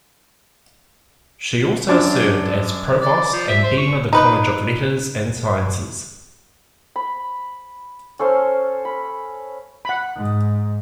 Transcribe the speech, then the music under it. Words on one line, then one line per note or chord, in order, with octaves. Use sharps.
She also served as provost and dean of the College of Letters and Sciences.
F#2 D4
D5
F3
E5
C5
C#6
D#4 B4
B5
C#4 A4 C5 F5
B5
F#5 B5
G#2